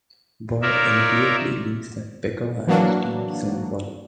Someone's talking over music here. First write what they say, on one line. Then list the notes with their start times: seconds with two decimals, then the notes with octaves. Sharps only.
Boyd immediately leaves and Picker and his team soon follow.
0.62 D#4 F4 A#4 C#5 D5 E5
2.67 E3 F#3 A#3 D4 F#4